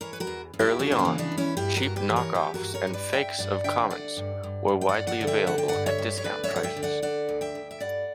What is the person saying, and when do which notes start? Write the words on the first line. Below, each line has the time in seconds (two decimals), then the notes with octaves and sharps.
Early on, cheap knock-offs and fakes of commons were widely available at discount prices.
0.01 E3 A#4 C#5
0.13 B4
0.20 F#4 A#4
0.27 E2
0.54 E2
0.59 E4 G4
0.79 C#3 D4 F#4
0.92 D4
0.99 A#3 C#4
1.05 E3
1.18 B3 D4
1.32 E2
1.38 C#4 E4
1.57 G2 E4 G4
1.76 F#4 A#4
1.83 G2
1.96 G4 B4
2.10 E3
2.16 A#4 C#5
2.34 E3 G4 B4
2.54 F#4 A#4
2.61 G2
2.74 A#4 C#5
2.87 G2
2.93 B4 D5
3.13 G2 E5 G5
3.39 G2 D5 F#5
3.64 D3 E5 G5
3.90 D3 D5 F#5
4.17 G2
4.43 G2
4.68 G2
4.81 G5
4.89 D5 F#5
4.94 G2
5.07 D5 F#5
5.21 D3
5.27 E5 G5
5.47 D3 F#5
5.58 G5
5.68 G2 D5 F#5
5.86 C#5 E5
5.98 G2
6.17 C#5
6.24 D2 B4 D5
6.44 C#5 E5
6.51 D2
6.56 F#5
6.63 E5 G5
6.76 D3
6.83 D5 F#5
7.02 D3 D5 F#5
7.29 D2
7.41 E5 G5
7.55 D2
7.71 E5
7.80 G2 D5 F#5